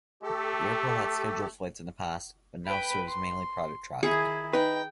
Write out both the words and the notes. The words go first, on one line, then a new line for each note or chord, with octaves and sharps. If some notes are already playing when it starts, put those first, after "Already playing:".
The airport had scheduled flights in the past, but now serves mainly private traffic.
A3 G4 A4
B4 G5 B5
C6
D#3 E4 G#4
D#4 B4 G5